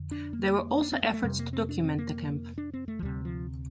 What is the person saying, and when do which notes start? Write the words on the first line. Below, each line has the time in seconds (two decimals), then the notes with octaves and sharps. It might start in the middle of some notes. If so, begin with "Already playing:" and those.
There were also efforts to document the camp.
Already playing: F2 D3
0.11 D4
0.33 A#3
0.82 D4
0.92 C4
1.03 A#3
1.14 A3
1.23 F2 C3 G3
1.39 A#3
1.53 C4
1.69 D4
1.84 C4
1.98 A#3
2.58 D4
2.73 C4
2.88 A3
2.99 F3
3.03 D2 C3 G3
3.25 F3